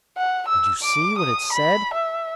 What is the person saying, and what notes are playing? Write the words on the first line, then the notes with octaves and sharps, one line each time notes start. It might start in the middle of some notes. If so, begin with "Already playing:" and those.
Did you see what it said?
F#5
E6
D6
D#6
B5
E5